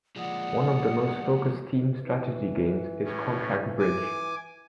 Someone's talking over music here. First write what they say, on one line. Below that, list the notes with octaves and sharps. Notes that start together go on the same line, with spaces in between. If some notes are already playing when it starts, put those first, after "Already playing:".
One of the most focused team strategy games is contract bridge.
A#2 F3 G#3 D5 F#5 D#6
E3
A2 C#4
G#5 D6